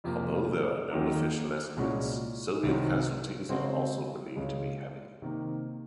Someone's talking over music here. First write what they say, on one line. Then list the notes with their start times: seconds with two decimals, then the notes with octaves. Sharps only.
Although there are no official estimates, Soviet casualties are also believed to be heavy.
0.04 F2 C3 F3 A#3
0.90 D#2 D#3 F#3 A#3
1.76 C2 A#2 G#3 C#4 F#4
2.63 C2 C3 D#3 F#3 C4
3.49 C#3 G#3 C4 F#4
4.36 C#2 C#3 G#3
5.22 C3 D#3 A#3